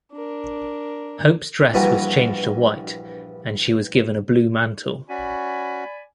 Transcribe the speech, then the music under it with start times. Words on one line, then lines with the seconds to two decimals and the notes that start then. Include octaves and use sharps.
Hope's dress was changed to white, and she was given a blue mantle.
0.12 D4 A#4
1.74 A#1 G2 E3 F#4 A#5
5.09 C#4 F#4 D5 G#5 B5